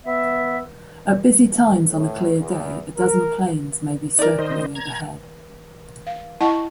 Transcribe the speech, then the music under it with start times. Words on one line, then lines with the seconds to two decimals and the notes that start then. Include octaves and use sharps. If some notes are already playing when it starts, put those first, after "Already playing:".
At busy times on a clear day a dozen planes may be circling overhead.
0.06 B3 E5
1.88 A2
2.40 E2
2.98 A#4
4.19 D#4 A#4 D5
4.39 D#3 C5 D#5
4.75 A#5 G#6
6.07 F5
6.41 E4 D#5 F#5 A5 C#6